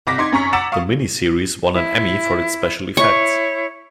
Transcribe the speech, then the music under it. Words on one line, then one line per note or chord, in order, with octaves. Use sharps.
The mini-series won an Emmy for its special effects.
C2 D6 A#6 B6
D#4 C6 D6 G#6
F#2 C#4 A#5 C#6 B6
F#5 A#5 D6 E6 A6 E7
F5 C#6 D#6
E4
E4 C#5 C#6